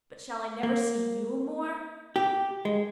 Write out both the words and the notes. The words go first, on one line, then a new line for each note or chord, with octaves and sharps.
But shall I never see YOU more?
A#3
G4
G#3